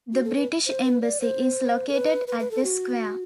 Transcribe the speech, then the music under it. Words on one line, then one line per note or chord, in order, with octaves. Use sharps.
The British Embassy is located at the square.
F#4
A4
B4
C5
B4
D5
C5
A4
B4
B4
B4
A4
F#4